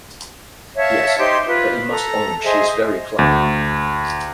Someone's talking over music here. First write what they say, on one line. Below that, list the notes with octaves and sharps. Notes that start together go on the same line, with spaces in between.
Yes; but you must own she is very plain.
C#5 E5 F5 A5
D#4 G4 C5 C6
F4 B4
A4 A#5
G#4 C5 D#5 E5
D2